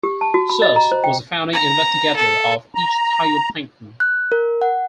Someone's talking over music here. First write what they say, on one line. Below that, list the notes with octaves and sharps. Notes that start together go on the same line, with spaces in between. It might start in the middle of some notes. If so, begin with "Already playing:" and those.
Sars was a founding investigator of ichthyoplankton.
G4
A5
F#4
B5
D#5
A#5
C5
G5
A#5
A4
A#5
F#6
A#4
F#5